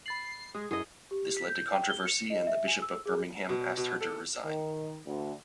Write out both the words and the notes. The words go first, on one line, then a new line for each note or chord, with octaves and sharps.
This led to controversy and the Bishop of Birmingham asked her to resign.
B5 A6 C7 F#7
G#3 G#4
F#2 E4 G#4 A4 D#5
G4
B6
G6
G5
G7
C#7
D#5
E5
G#5
E6
G#4
B2
B2
A4
D#3
D2